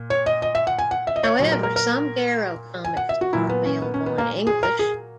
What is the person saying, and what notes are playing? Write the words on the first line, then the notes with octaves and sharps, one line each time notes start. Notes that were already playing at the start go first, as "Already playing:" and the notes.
However, some "Garo" comics are available in English.
Already playing: A#2
C#5
D#5
D#5
E5
F#5
G#5
F#5
E5
D#5
C#5
A#2 F#3 C#5
A#4
A#4
A#4
G#5
F#5
E5
F#4
A#2 F#3 E4
B3
C#4
B3
C#4
B3
A#3
G#4
A#4
G#4